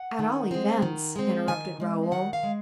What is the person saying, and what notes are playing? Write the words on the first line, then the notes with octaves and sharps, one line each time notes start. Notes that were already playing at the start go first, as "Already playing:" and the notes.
"At all events--" interrupted Raoul.
Already playing: F#5
D#3
G#3 C4
D#3
G#3 C4
D#3 G#5
G#3 C4
D#3 F#5
F5
G#3